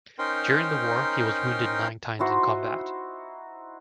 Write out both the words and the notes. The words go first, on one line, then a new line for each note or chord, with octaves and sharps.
During the war he was wounded nine times in combat.
C#4 D#4 A#4 C5 G5 C6
D#4 E4 F#4 C5